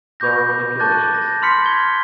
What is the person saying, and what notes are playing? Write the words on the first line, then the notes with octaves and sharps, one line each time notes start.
There were manipulations.
B5 C#6 D6 G6 A#6
G6
A5 C#6 D6 F#6 G6 A6
A#6
B5 C6 F6 B6 C#7
F6 G#6 G7